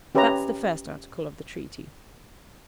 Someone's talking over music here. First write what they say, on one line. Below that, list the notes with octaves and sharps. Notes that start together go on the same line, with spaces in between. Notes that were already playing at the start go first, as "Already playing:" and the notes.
That's the first article of the treaty.
C#4 G4 B4 C#5 E5 A#5